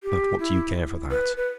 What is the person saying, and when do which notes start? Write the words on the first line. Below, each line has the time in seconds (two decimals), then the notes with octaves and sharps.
But what do you care for that?
0.03 G4
0.39 E4
1.11 B4
1.37 B4